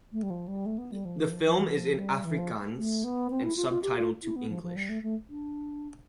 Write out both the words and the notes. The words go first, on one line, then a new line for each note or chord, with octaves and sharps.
The film is in Afrikaans and subtitled to English.
A3
G3
F3
G3
A3
B3
G3
F3
E3
F3
F3
E3
F3
G3
E3
F3
A3
B3
C4
E4
F4
F4
G4
F4
E4
B3
F3
F3
G3
A3
A3
D4